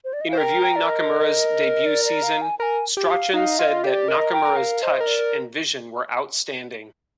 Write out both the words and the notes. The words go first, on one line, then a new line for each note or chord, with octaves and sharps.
In reviewing Nakamura's debut season, Strachan said that Nakamura's touch and vision were outstanding...
C5
D5
D#5
F5
C5
A#4 G5
G5
D5
D#5
D5
D5
F5
G#5
A#4 G#5 A#5
G4
F5
D#4 F5
F4 D#5
G4 D5 F5
A#4 D#5
G5
A#4
F5
C5 D#5
A#4
D5
A#4